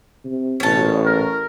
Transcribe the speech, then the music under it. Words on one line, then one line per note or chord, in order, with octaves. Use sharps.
you're, um,
C3
A1 C#5 A5
A#4